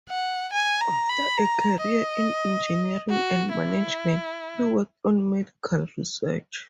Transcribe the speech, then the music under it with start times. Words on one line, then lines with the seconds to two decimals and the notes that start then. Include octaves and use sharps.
After a career in engineering and management, he worked on medical research.
0.09 F#5
0.52 G#5
0.81 A#5
1.09 B5
1.37 A#5
1.81 D#5
3.10 F#4
3.52 E4